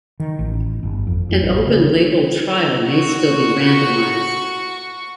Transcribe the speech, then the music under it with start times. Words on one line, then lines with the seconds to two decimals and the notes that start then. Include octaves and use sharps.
An open-label trial may still be randomized.
0.20 D#3
0.39 A1
0.83 G1
1.07 F2
1.29 F2
1.42 A1
1.67 C#3
2.87 F#4 C#6